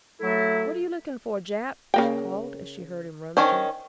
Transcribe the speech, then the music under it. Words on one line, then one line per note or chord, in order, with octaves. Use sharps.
"What are you looking for, Jap?" she called as she heard him rummaging.
F#3 A3 E4 A4
C#3 A#3 G5
D#3 C#4 D4 C5